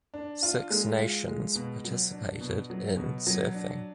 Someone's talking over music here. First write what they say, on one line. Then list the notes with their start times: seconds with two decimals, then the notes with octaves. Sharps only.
Six nations participated in surfing.
0.14 D4
0.43 F4
0.70 G#3
0.99 F4
1.27 G#3
1.55 B2
1.85 F#3
2.12 D4
2.41 B2
2.70 F#3
2.97 B2
3.27 F#3
3.54 D4